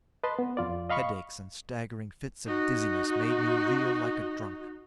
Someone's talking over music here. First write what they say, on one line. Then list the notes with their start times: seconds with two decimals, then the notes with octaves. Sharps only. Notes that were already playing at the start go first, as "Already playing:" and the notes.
Headaches and staggering fits of dizziness made me reel like a drunk.
0.24 B4 D#5 A5 C6
0.39 B3
0.57 F2 F4 D5
0.90 D#5 F5 B5 C#6
2.46 D#4 F#4